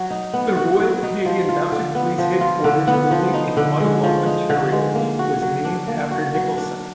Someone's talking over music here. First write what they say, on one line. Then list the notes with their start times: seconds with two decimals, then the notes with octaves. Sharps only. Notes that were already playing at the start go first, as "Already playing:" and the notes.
The Royal Canadian Mounted Police headquarters building in Ottawa, Ontario was named after Nicholson.
Already playing: F#3 F#4
0.10 D#4
0.34 B3
0.57 F#4
0.80 F#3
1.03 D#4
1.26 F3
1.49 F4
1.72 D3
1.95 B3
2.18 F3
2.41 F4
2.64 D3
2.87 B3
3.11 F3
3.34 D#4
3.57 D3
3.80 G#3
4.04 F3
4.26 D#4
4.49 D3
4.72 G#3
4.95 A#3
5.19 F#4
5.42 F#3
5.64 D4
5.88 A#3
6.11 F#4
6.34 F#3
6.58 D4